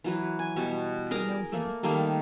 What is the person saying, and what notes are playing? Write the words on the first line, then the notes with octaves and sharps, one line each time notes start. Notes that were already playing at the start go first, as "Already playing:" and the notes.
I know him.
E3 F#3 B4
G#5
B2 G3 C#6
G#4 A#4 A#5 D6
A3 A#3
D#3 G3 A3 A#3